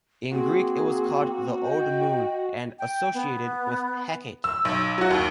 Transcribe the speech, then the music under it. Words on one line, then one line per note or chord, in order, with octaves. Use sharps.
In Greek it was called the Old Moon and associated with Hecate.
A#3 C4 F#4 G#4
D#5 G5
G5
B3
E6
B1
F#3 F#4
D#2